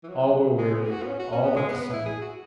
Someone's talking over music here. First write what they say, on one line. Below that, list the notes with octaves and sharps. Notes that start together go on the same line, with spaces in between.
All were weary, all but the sun.
E3
F#3
G#3
B3
G#4
F#4
B3
C#4
F#4
C#4
B3
G#3
B3
B3
E4
G#4
F#4